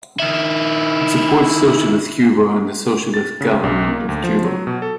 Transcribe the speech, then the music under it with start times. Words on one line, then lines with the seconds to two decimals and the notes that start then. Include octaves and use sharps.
It supports socialist Cuba and the socialist government of Cuba.
0.20 D#3 E4
3.14 A6
3.41 C#3
3.64 B1
3.87 A#3
4.09 D2
4.24 F3
4.44 F#3
4.67 B2
4.82 A4